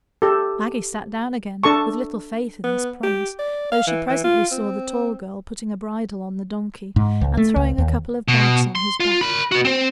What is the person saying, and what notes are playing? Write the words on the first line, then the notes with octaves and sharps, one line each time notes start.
Maggie sat down again, with little faith in this promise, though she presently saw the tall girl putting a bridle on the donkey, and throwing a couple of bags on his back.
G4 A4
D4 A4 A5 C#6
B3
G4
D5
F5
E3
E3
F4
C4
G#2
C#2
A3
C#2
D#2
B2
C6
F4
A#4 B5
B3 F#4
C4 C5